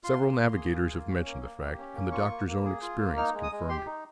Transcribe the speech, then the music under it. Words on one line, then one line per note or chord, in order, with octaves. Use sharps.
Several navigators have mentioned the fact, and the Doctor's own experience confirmed it.
F4 C6
A#3
A#3
G#4
F4
A#3
C#4
A#3
A#3
G4
C#4
A#3
F4 C#6
A#3
A#3
G#4
F4
A#3
D#4 F6
G#3
D#6
G#3
G4 C6
D#4